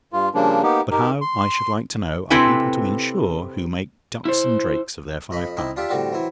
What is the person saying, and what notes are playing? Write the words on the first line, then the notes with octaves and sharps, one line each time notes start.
But how, I should like to know, are people to insure who make ducks and drakes of their five pounds?
G2 F4
C#3 F3 G3 A#3 D4
A#3 B3 D#4 G4
D#4 G4 A#4
C6
C3 C4 E4 A4 B4 G#5
E4 C5
F2 D#5 B5
C4 D#4 E4
D4 F4 G4 D5 E5
A2 D3 G3 C4 F#4
E3 F#3 C4 E4